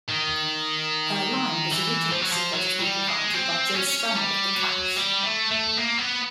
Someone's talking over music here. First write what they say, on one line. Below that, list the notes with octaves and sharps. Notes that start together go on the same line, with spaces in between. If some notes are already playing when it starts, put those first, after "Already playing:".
Her line was originally supposed to be provided by Joe Strummer of The Clash.
D#3
E3
F3
F#3
F3
F#3
G3
G#3
C4
C#4
G3
F#3
G3
A3
A3
A#3
B3